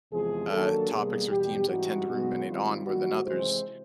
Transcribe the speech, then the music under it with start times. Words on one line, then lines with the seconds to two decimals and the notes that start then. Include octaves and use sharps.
uh, topics or themes I tend to ruminate on more than others,
0.12 E2 C3 F3 G#3 G#4
0.51 D#3 F#3 A#3 D4 A4
0.90 B2 G3 A#3 G#4
1.29 E2 B2 G3 G4
1.68 G#2 E3 G3 C4 D#4 F#4
2.07 B2 G#3 B3 D#4
2.46 D#3 G3 C4 D#4 F4
2.85 D#3 G3 A#3 D#4 F#4
3.24 C3 E3 G#3 C4 C5